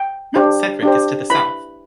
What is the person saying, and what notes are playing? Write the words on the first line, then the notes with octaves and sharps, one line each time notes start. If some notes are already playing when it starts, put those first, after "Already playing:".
Mount Sedgwick is to the south.
Already playing: G5
D4 G4 C5
D4 G4 C5
E4 B4 B5